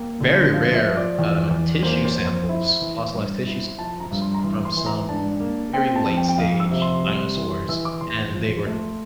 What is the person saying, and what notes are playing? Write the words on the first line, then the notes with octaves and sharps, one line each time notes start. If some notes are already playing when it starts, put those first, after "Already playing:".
very rare, uh, tissue samples, fossilized tissue samples from some very late-stage dinosaurs, and they were
Already playing: A#3 G5
D3
F3 F5
E5
F3
D5
E2
E2
A#3 C5
C5
F2
C5
E4
E3
G2
E4
F3 A5
A#5
G2
C6
A#5
E3 C6
C6
E3
A#5
D4 A5
A#3
C4 G5
A5
F2
G5
G5
F2 F5
E6
C3
C6
G3
E3
E3 E6
D6
E2 C6
C6
F3
A3